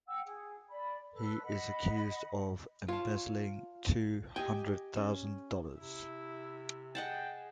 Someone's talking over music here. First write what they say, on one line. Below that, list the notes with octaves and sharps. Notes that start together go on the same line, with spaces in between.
He is accused of embezzling two hundred thousand dollars.
F#5 G5 E6
G#4
D5 B5
A4 B4
D#5 F#5 B5
F4 C#5 A5
G4 D#5 G5 G#5
C#4
C3 E4
G#4 D#5 F#5 G5 A5